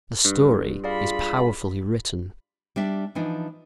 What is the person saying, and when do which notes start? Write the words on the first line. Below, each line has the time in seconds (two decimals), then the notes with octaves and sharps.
The story is powerfully written.
0.25 G2
0.84 F4 G#4 D5 F5 B5
2.76 G3 D4 E5
3.15 E3 F3 D4 D#4